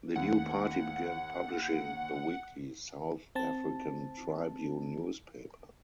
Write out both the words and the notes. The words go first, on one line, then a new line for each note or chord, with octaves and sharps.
The new party began publishing the weekly "South African Tribune" newspaper.
D#2 F#5
C4 A5